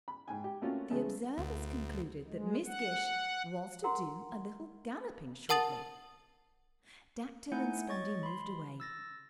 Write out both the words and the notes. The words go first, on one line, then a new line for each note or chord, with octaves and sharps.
The observers concluded that Miss Gish was to do a little galloping shortly. Dactyl and Spondee moved away.
B5
G#2 G5 G#5
G4
A3 A#3 C4 C#4 F4 F#4
C#3 E3 G#3 A3 C#4
D2
G#3
F#5
A#4 F#5 A#5 C6
A#4 F#5 A5 D#6 A6 F#7
A3 D#4 E4 F#5 G#5 G6
C#5 D#5 C#6 A6
B5 C6
E6 A6 A#6